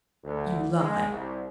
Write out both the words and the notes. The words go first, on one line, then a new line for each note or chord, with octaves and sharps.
"You lie!"
D2
G#3
C2